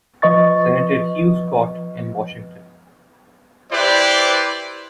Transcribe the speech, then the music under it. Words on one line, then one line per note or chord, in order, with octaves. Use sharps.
Senator Hugh Scott in Washington.
F3 B4 D#5 C#6 A6
E4 G4 B4 C5 D5